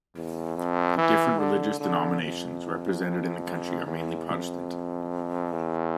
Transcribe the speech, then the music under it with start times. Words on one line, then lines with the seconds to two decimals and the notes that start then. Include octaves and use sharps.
The different religious denominations represented in the county are mainly Protestant.
0.16 E2
0.56 F2
0.98 E3
1.39 D3
1.80 D3
2.21 F2
3.86 E2
4.28 F2
5.52 E2